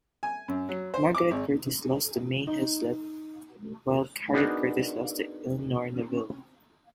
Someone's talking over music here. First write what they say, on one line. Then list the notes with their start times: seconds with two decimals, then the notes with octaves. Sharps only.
Margaret Curtis lost to May Hezlet while Harriot Curtis lost to Elinor Neville.
0.23 G#5
0.48 F#2
0.69 F#3
0.94 C5
1.15 D6
1.31 G#1
2.47 D#4
4.33 B3 D4 D#4 F#4 G#4 A#4